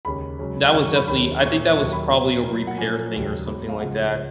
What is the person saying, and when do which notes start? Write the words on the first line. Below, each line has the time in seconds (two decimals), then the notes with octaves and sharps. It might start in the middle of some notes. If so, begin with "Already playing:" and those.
that was definitely I think that was probably a repair thing or something like that
0.05 D#2 C#3 G#3 C#4 B5
0.39 C#2 C#3 F#3 C#4
0.73 F#2 D#3 G#3 C#4 C#6
0.85 C#6
0.96 B5
1.08 D#2 D#3 G#3 C#4 B5
1.42 A#2 F3 A#3 C#4 C#6
1.75 D#2 D#3 F#3 C#6
1.93 B5
2.09 A#2 F#3 C#4
2.43 B2 F#3 A#3
2.67 F#5
2.78 A#2 F3 A#3 C#4 G#5
3.12 D#2 C#3 F#3
3.46 G#2 F#3 B3
3.69 F5
3.80 C#2 C#3 F3 F#5